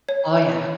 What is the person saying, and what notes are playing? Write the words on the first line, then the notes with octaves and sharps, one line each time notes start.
Oh, yeah.
C#5